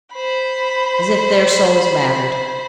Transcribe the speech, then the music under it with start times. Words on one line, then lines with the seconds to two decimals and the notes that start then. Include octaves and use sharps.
As if their souls mattered.
0.13 C5 B5